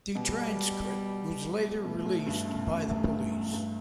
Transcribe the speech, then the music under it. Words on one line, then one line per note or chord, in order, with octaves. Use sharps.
The transcript was later released by the police.
B2 G3
B2 A3
A2
G2
F#2
F#2
E2
G2
F#2
G2